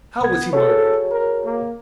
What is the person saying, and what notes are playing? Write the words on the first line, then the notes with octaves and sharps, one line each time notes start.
How was he murdered?
C2 B3 G#6
F#4 G#4 A4 C#5
A#4
A#3